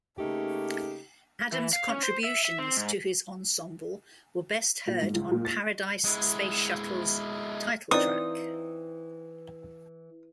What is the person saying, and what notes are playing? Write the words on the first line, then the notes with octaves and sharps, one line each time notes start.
Adams' contributions to his ensemble were best heard on "Paradise Space Shuttle"'s title track.
C#3 A3 A#3 D#4 G4
E3
F5
C#4
C5
E5
E5
C4
G#2
A#2
G#2
C#2
A#2
A6
G#3 E4
E3 C4 D#4 F4 B4 D5 D#6